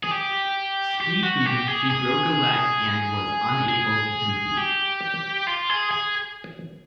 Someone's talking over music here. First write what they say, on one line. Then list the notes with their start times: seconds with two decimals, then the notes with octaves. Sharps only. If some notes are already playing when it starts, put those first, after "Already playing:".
Ski Team, she broke a leg and was unable to compete.
0.03 G#4
0.11 G4
1.01 G4
1.23 F#4
1.46 G4
1.68 G#4
1.90 G#4
3.69 G#4
4.57 G4
5.47 F4
5.70 G#4
5.91 G#4